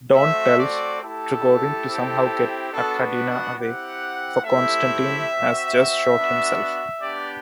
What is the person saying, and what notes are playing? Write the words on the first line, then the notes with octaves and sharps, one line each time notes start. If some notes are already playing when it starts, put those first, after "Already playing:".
Dorn tells Trigorin to somehow get Arkadina away, for Konstantin has just shot himself.
A3 C4 F#4 E5
D5
A3 E4 G4 A4
C4 E4 G4
B3 D4 F#4 A4
B4
F#5
C4 E4 G4 F#5
A3 C4 E4 G4 E5
C4 F#4
B3 D4 F#4
B3 D4 G4 D5